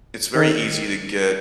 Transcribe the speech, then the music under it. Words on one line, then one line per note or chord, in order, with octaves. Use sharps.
it's very easy to get
D#3